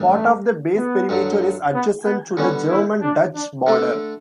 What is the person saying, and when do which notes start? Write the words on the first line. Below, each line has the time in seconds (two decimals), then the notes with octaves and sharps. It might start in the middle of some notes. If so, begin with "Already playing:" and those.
Part of the base perimeter is adjacent to the German-Dutch border.
Already playing: A1 G2
0.13 A3
0.77 B3
1.09 G2 D3 F#3
1.73 B3
2.05 B3
2.37 D3 G3 B3 C#4
2.69 E4
3.02 D4
3.35 D4
3.67 D3 A3 D4 A4